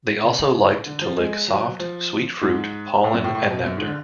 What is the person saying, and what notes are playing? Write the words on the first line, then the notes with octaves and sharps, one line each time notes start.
They also liked to lick soft, sweet fruit, pollen and nectar.
C#3
D3
F3
G#3
F#3
F3
G#2
A2
F#2
A2
A2
B2
F#2
G#2
D3